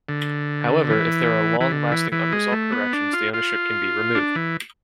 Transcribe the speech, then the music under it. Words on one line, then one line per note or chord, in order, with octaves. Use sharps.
However, if there are long lasting unresolved corrections, the ownership can be removed.
D3
E3
E3
D3
E3
E3
G#3
A3
B3
D4
F4
F4
D4
E3